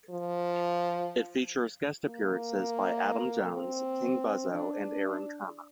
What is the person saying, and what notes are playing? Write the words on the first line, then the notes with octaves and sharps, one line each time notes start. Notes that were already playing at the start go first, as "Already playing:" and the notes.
It features guest appearances by Adam Jones, King Buzzo, and Aaron Turner.
F3
A#3
C4
D4